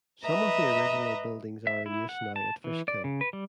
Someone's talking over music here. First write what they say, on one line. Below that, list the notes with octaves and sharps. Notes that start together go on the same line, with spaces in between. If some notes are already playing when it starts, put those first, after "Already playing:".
Some of the original buildings are in use now at Fishkill.
B4 D#5 E5 A#5
E5
E4
F#5
A5
E3
D5
C#3
B4
G3